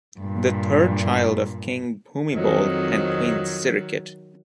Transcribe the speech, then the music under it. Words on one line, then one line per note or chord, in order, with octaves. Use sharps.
The third child of King Bhumibol and Queen Sirikit.
G2 A#2
F2 D#3 F#3 D#5